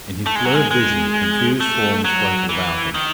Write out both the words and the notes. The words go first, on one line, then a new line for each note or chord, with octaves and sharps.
In his blurred vision confused forms floated about him.
A3
G#3
F#3
G#3
G#3
A3
F#3
E3
D#3